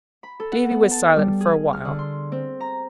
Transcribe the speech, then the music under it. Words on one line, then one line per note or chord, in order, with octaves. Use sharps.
Davie was silent for a while.
B5
A4
F#5
B3
A5
G3
G#4
F6
D3
C6
C4
A#5